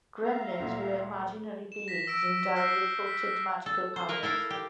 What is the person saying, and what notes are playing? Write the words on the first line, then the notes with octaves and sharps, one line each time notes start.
Gremlins were imaginary beings endowed with potent magical powers.
E5 F5 A#5
D2 A#2
E7
A#6 B6
E6 A#6 D7
E6 F6 G6 A#6 C7 D7
B6
A4
C5
A#3 A#4 B4
E4 A4 A#4 F5
G4